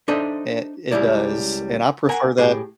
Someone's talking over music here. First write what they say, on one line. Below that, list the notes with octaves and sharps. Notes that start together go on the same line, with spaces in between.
It it does, and I prefer that.
D4 D#4 A4 C5 D#5 E5
C#2 D#3 G3 E4 D5
A#4 F#5 G#5
A2 G4 G#4